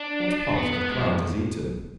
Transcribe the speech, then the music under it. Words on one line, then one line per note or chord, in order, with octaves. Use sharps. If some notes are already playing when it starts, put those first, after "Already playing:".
What part of the plant is eaten?
Already playing: D4
B3
B3
G#3
F3